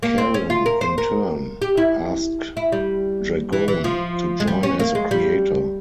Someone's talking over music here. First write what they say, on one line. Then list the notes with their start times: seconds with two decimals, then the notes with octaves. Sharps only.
Caron, in turn, asked Dragone to join as a creator.
0.03 A#3
0.18 C4
0.34 C#4
0.50 F4
0.66 A#4
0.81 C5
0.98 A#4
1.62 G4
1.77 E4
2.57 E4
2.72 G3
3.53 E3
3.68 E3
3.84 F3
4.40 G#3
4.47 G3
4.63 C#4
4.80 A#3
4.95 G#3
5.11 G3